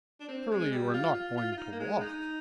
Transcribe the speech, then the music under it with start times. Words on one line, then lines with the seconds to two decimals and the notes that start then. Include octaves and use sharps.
"Surely you are not going to walk?"
0.20 D4
0.29 C4
0.51 G#3
0.72 G3
0.94 F4
1.14 F4
1.37 F4
1.52 F4
1.57 D#4
1.72 A#3
1.80 G#3
2.00 D#4